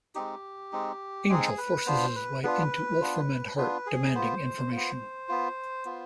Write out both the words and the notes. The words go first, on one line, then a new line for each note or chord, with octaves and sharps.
Angel forces his way into Wolfram and Hart, demanding information.
G#3 C4 D#4 G4
G#3 C4 D#4
G#3 C4 D#4 G#4
B4
B3 D4 F4 C5
B4
B3 D4 F4 B4
B3 D4 F4
B3 D4 F4 B4
G#4
B3 F4 C5
B3 F4
B3 F4
B3 F4